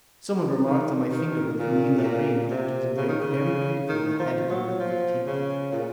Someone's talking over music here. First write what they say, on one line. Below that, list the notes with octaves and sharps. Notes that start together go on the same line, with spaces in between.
Someone remarked on my finger a cornelian ring on which was engraved very beautifully the head of Louis XV.
D#3
D#3
A#2
A2
A#2
C3
C#3
D#3
C#3
D#3
F3
F#3
F3
C#3
A#2